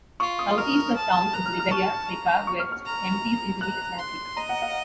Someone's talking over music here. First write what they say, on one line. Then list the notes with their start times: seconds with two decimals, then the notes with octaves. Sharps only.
Southeast of town is Ribeira Seca which empties into the Atlantic.
0.20 F4 C#6
0.39 D#6
0.58 A#4 F6
0.96 A5
1.33 A#5 F#6
1.46 F6
1.59 F6
1.71 A5 C#6
2.09 A#5
2.47 C#6
2.60 F6
2.72 F6
2.86 A#5
3.61 A#5 F#6
3.99 C6
4.36 D#5 A#5
4.49 F#5
4.62 F5